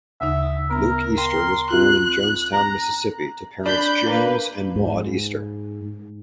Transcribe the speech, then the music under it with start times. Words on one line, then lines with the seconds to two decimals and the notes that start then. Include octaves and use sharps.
Luke Easter was born in Jonestown, Mississippi to parents James and Maude Easter.
0.21 D2 C#3 D#4 E5
0.71 B3 A#4 A#5
1.17 G5 C6
1.70 C4 F4 F#6
2.53 A#5
3.66 D4 B5 G6
4.07 A#3 B4
4.76 G#2